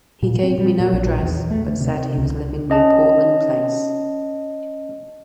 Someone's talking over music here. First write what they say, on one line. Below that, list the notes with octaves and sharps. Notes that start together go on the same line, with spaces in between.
He gave me no address, but said he was living near Portland Place.
A#2
C4
G3
A#2
A#1
E2
A3
D2
C3
C#2
C#4 D#5 A5